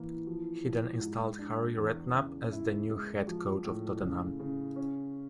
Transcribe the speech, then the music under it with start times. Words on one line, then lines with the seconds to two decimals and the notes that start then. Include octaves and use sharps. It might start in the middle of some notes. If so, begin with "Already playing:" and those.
He then installed Harry Redknapp as the new Head Coach of Tottenham.
Already playing: E3 A#3
0.27 F3
0.64 F3
1.01 G#2
1.39 D4
1.77 E2
2.14 C#3
2.51 E4
2.90 G#3
3.27 F3
3.64 A2
4.01 C#3
4.40 C#3
4.76 C#4